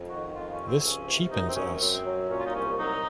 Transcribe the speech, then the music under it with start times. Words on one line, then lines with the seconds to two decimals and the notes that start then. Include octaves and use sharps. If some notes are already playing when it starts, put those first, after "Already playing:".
This cheapens us.
Already playing: F2
0.09 D#3 F#4
0.34 F2 F4
0.51 C#4
0.58 C3
0.67 C4
0.83 C#2 C#4
1.07 C3
1.32 F#2 D#4
1.48 C4
1.56 F#2 C#4
1.80 F#2 C4
2.05 F#3
2.29 A#2 C#4
2.39 F4
2.45 D#4
2.54 C2 C#4
2.78 F#3 D#4